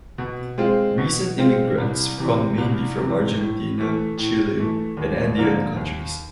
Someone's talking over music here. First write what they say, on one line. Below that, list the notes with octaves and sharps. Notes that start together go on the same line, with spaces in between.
Recent immigrants come mainly from Argentina, Chile, and Andean countries.
B2
G#3 C4 F4
B2
G#3 C4 F4
C2
C3 E3
C2
C3 E3
A2
E3 A3
A2
E3 A3
D#2
D3 F3 A#3
D#2